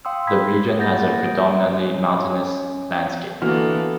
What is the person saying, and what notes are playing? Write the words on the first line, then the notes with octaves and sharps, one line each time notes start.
The region has a predominantly mountainous landscape.
F5 G5 C6 D#6 E6
B5 D#6 G#6 B6
G#4
A#3 F#5 B5 G6 A6 A#6
D#6 D7
C#4
D3 E3 A#3 B3 F#4 A4 F6